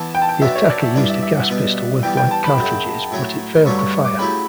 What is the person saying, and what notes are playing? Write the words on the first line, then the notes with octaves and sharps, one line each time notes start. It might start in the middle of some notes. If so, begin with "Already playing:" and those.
The attacker used a gas pistol with blank cartridges but it failed to fire.
Already playing: E3 B3 E4 A5
G5
A5
G5
D3 F#3 B3 D4 F#4 E5
C#5
D5
E5
G2 E3 G3 B3 D4 D5
E5
E5
F#5
B2 G3 B3
E3 G3 B3 G5
G5
A5
B5
F#2 C#3 F#3
A2 F#3 A3 C#4
G2 D3 F#3 A3 C#4 C#6
C#6
C#6
D6
C#3 F#3 A3 E4 G4 B5